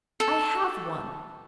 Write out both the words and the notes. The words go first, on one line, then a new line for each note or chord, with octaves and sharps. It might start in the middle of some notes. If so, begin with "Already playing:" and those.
"I have one."
A4